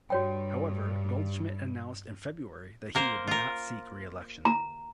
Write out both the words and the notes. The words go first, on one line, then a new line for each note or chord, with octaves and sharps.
However, Goldschmidt announced in February that he would not seek re-election.
G2 F#4 C#5 G5
A#3 A#4 C5
F4 A#4
A#5